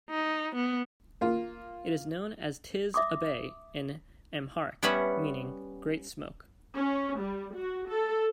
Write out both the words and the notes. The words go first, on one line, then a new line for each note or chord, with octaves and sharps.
It is known as Tis Abay in Amharic, meaning "great smoke".
D#4
B3
A#3 F4
E5 D6 D#6
G3 B3 C#4 B4 E5 F#5
C#4
G3
F#4
A4